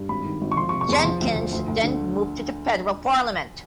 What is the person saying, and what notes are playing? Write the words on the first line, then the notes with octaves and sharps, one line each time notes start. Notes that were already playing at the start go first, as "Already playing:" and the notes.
Jenkins then moved to the Federal Parliament.
Already playing: G2
G#1 B5
D#3
G#1
C#6
F3 C6
C#6
C3
C#6
E2 C6
F3 C6
D2
F3
D2
D2
D3